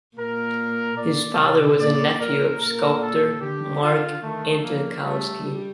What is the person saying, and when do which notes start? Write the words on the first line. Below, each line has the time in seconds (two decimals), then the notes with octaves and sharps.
His father was a nephew of sculptor Mark Antokolsky.
0.17 A#2 A#4
0.97 A#2 D5
1.38 C3
1.78 A#2 D5
2.18 A#4
2.59 A#2 A#4
3.00 A4
3.40 D3 G4
3.81 F4
4.21 D#3 A3
4.62 F3 A#3
5.02 G3 A3
5.43 G3